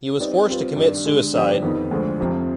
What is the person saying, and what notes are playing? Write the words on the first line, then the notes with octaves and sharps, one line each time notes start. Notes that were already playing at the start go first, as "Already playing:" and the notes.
He was forced to commit suicide.
G3 C4 D#4 B4 D5
G3 C4 F4 B4
G2 D#3 G3 D4
D3 G#3 D4 G#4
D3 F3 B3 D4 G4
F2 D#3 B3 D#4
D2 D3 F3 G#3
F2 C3 F3 C4